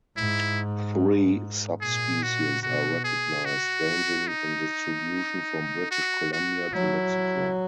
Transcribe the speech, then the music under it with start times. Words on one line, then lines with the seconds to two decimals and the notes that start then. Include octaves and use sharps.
Three subspecies are recognized, ranging in distribution from British Columbia to Mexico.
0.17 G#2 E4
1.81 A#2 G#4
2.23 F#4
2.63 B2 F#4
3.04 G#4
3.45 F#4
4.28 D#4
5.91 F#4
6.33 F#4
6.73 F#3 E4